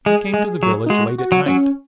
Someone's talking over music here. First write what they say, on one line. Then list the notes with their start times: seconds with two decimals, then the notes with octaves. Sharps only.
He came to the village late at night.
0.06 G#3 G#4
0.34 G#3
0.63 F#3
0.86 D#4
0.90 G#3 F#4
1.18 F#4
1.32 F#3
1.46 F#3 C#4